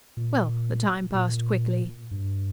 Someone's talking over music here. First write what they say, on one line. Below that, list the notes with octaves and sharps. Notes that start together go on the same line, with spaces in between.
Well, the time passed quickly.
A#2
A#2
G2